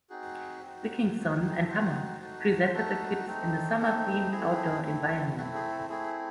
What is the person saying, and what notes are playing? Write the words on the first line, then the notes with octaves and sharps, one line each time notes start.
Wikingsson and Hammar presented the clips in a summer-themed outdoor environment.
C4 D#4 F#4 G#4
C4 D#4 F#4
C4 D#4 F#4
F#4
G#4
A4
C4 D#4 F#4 C5
A3 D#4 F#4
C5
A3 D#4 F#4 A4
A3 C4 D#4
G#4
A3 C4 D#4 A4
A3 C4 E4 G#4
A4
G#4
A3 C4 E4
A3 C4 E4 F#4
G#4
A4
A3 C4 E4 G#4